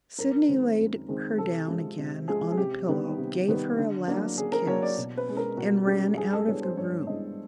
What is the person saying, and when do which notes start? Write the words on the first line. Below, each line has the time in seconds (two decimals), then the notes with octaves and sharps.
Sydney laid her down again on the pillow, gave her a last kiss, and ran out of the room.
0.19 F#2 A#4
0.48 D#3 G#3 C4
0.79 F#2
1.08 D#3 G#3 C4
1.38 C3 A4
1.68 F3 G#3
1.98 C3
2.28 F3 G#3 G#4
2.52 G#4
2.57 C3 G4
2.88 D#3 G3 B3
3.18 C3
3.48 D#3 G3 B3
3.78 D3
4.08 F#3 A#3 D4
4.37 D3 G#4
4.52 A#4
4.67 F#3 A#3 D4 C#5
4.82 D5
4.97 B2
5.17 B4
5.27 G#3 C#4
5.37 A#4
5.57 B2 F#4
5.87 G#3 C#4 G4
6.17 G2 G#4
6.33 A4
6.47 E3 G#3 B3 D4 C#5
6.62 C5
6.77 G2 C#5
7.07 E3 G#3 B3 D4 D#5